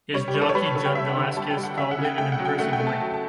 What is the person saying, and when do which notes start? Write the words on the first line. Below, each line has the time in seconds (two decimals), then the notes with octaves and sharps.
His jockey John Velazquez called it an impressive win.
0.14 G3 C#5
0.28 G4
0.34 G3
0.41 A4
0.49 C#5
0.55 G3 B4
0.65 C#5
0.75 D3 A4
0.86 G5
0.95 G3 E5
1.10 F#5
1.17 D3
1.24 G5
1.37 G3 A5
1.50 G5
1.57 G3
1.63 F#5
1.77 C#3 E5
1.91 F#5
1.98 C#3
2.05 G5
2.18 A3 G5
2.32 F#5
2.39 F#3
2.45 G5
2.59 A3 F#5
2.73 G5
2.80 A3
2.87 A5
3.00 F#3
3.14 A5